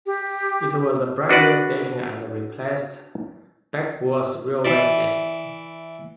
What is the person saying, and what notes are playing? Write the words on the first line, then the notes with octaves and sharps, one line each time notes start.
It was a brand-new station, and replaced Backworth railway station.
G4
D4 F#4 B4 D5
E3 E4 D5